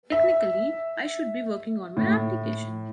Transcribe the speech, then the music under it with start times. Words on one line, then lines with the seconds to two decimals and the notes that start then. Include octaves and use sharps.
Technically, I should be working on my application.
0.12 E5
1.97 A2